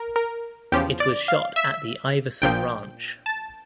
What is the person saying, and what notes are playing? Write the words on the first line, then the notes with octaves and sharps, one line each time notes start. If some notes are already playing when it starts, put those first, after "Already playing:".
It was shot at the Iverson Ranch.
Already playing: A#4
A#4
E2 C#3 F3 G4
D5
F5
E5
A#1 A#2 F3 G5
A5